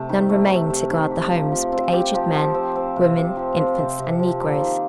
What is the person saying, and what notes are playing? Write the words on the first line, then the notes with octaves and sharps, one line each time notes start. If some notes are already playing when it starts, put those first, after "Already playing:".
None remained to guard the homes but aged men, women, infants and negroes.
Already playing: C3 A3
D#3
A3
C3
C3
D#3
G4
F3
F3
C4
G4
F3
F3
C4
C4
C3
C3
F3
C4
C3
C3
F3
A#3
D#3